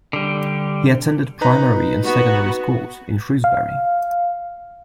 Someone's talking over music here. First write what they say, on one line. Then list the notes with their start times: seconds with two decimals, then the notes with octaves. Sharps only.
He attended primary and secondary schools in Shrewsbury.
0.13 D3 G3
1.41 D#4 B4 A#5
2.03 B3 F#4
3.44 F5